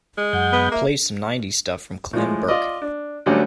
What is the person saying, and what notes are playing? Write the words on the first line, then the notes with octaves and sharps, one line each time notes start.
Play some nineties stuff from Clem Burke.
G#3 D#5
F#2 F#5 G6
B3
A#3 E5
A2 F3 G#3
F4 D5 D#5
D4
D2 F#3 G3 A3 C#4 D4